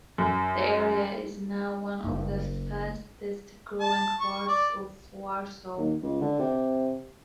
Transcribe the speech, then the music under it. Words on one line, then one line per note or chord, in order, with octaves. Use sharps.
The area is now one of the fastest-growing parts of Warsaw.
F#2
F#1
A5
C#6
D5
D#2
C#2
D3
C3